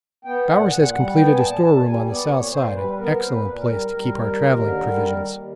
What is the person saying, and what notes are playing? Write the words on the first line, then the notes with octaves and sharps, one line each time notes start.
Bowers has completed a storeroom on the south side, an excellent place to keep our travelling provisions.
B3 G5
A#2 F#5
A#2 F#5
G3 F#5
B3 G5
G#5
A#2 A5
A#2 A5
G3 G#5
B3 D5
A#2 C#5
A#2 C5
G3 B4
B3 A#4
A#2 C5
B4
A#2
A#4
G3
G3
D#2
D#2
D3
G3
D#2
D#2